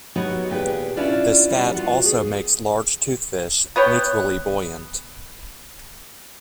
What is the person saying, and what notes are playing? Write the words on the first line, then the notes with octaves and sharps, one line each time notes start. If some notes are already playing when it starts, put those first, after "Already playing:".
This fat also makes large toothfish neutrally buoyant.
F#3 B3 D#4 F#4 G4 C#5
D#2 A#2 G4 G#4 B4
C#4 D4 E4 F4 D5
G3
B3 F4 F#4 F#5
G#4
B3 B4 C#5 G5